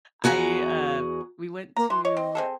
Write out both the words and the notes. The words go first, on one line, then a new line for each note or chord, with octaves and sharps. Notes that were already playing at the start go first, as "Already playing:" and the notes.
I, uh we went to
E2 F#4 G#4 A#5
A#3 A#5
E3 C6
C#5 D#5
C4
C4 G#4 A4